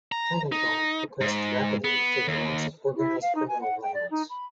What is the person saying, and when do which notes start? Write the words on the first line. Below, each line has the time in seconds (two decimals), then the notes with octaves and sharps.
Tannenbaum progressed rapidly through the ranks of organized criminal violence.
0.12 A#5
0.52 D#4
1.21 G#2
1.84 B3
2.28 D#2
2.96 E4
3.21 F5
3.34 D#4
3.47 G#5
3.60 F#5
3.82 G5
3.94 D5
4.10 D#4
4.29 B5